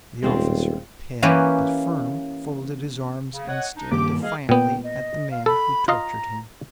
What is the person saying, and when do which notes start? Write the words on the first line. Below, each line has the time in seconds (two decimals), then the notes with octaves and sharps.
The officer, pale, but firm, folded his arms and stared defiantly at the man who tortured him.
0.23 D#1 G#3 C4 F4
1.22 E3 A#3 C#4 G4 B4
3.34 C#3
3.48 C#5 D#5 F#5
3.76 D4 D#4
3.92 G2 D#3 A#3 G4 D6
4.23 G#4 D#5 F5
4.49 A#2 B3 G5
4.84 D#5
5.31 F5
5.46 A4 B5
5.88 F4 D#5 F5 A#5